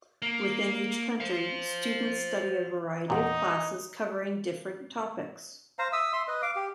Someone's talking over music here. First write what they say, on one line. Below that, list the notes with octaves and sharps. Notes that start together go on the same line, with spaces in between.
Within each country, students study a variety of classes covering different topics.
A#3
C5 F5
E2 A#2 D#4
C5 F5 A#5
E5 D#6 E6
E5 C6
B4 D#5
F5 D6
G4